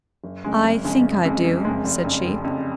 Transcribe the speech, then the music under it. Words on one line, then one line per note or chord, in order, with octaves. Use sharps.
"I think I do," said she.
F#1
F2 C#3 G#3
F#1
F2 C#3 G#3
F#1
F2 C#3 G#3
F#1
F2 C#3 G#3
F1
F2 C#3
F1
F2 C#3